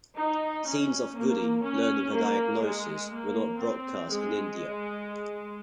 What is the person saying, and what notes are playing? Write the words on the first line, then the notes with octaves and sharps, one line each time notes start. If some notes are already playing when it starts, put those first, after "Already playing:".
Scenes of Goody learning her diagnosis were not broadcast in India.
D#4
C#4
A#3
C#4
A#3
G#3
A#3
C4
G#3